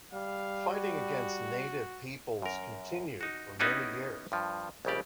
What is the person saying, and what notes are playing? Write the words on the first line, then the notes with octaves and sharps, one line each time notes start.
Fighting against native peoples continued for many years.
G3 F5
F#4
F#2 A#4
D#4 F#4
B3 C#4 D#4 E4 F#4 G4
G2 F3
A#1 D#2 C#3 G3 G4 D5